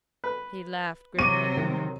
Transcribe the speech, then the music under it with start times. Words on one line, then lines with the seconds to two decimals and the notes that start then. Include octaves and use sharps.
He laughed grimly.
0.24 B4
1.19 C3 F#3 C#6 D6 D#7
1.57 D#3